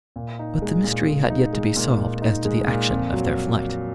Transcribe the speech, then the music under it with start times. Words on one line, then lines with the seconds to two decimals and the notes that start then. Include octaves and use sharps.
But the mystery had yet to be solved as to the action of their flight.
0.16 A#2
0.39 D#4
0.62 G#3
0.84 A#2
1.07 A#2
1.30 D#4
1.53 G#3
1.76 A#2
1.98 A#2
2.22 D#4
2.45 G#3
2.68 A#2
2.90 F2
3.13 F#3